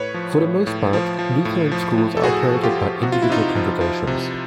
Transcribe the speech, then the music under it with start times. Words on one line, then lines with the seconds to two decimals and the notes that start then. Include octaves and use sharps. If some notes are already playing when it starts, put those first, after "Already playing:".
For the most part, Lutheran schools are operated by individual congregations.
Already playing: A2 B4 C#5
0.14 F3
0.41 A2
0.67 A2
0.93 F3
1.19 F3
1.45 A2
1.72 F3
1.98 A2
2.17 A4
2.23 A2 F#4 G#4
2.50 F3
2.63 F4 G4
2.76 F3
3.03 C3 F#4
3.12 F4
3.22 E4
3.29 C3 D#4 F4
3.55 F3
3.81 F3
4.07 C3